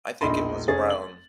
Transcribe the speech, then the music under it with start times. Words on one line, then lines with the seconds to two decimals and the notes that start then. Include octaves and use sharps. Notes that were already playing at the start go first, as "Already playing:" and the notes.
I think it was around,
0.21 E1 A#1 D#4 B5 C6
0.68 F1 C#4 G#4 A6
0.90 F#7